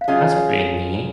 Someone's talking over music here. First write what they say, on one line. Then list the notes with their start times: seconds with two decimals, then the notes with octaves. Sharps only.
That's pretty neat
0.01 F5
0.08 F#3 C#4 F4 G#4 D#5